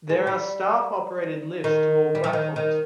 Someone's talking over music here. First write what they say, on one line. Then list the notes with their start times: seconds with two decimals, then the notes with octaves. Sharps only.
There are staff-operated lifts to all platforms.
0.09 G#3
0.27 G3
1.64 D#3
2.15 G3
2.24 F3
2.33 D#3
2.56 D#3